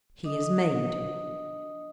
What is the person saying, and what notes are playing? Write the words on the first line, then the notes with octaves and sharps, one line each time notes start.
He is made.
D4 D#5 D#6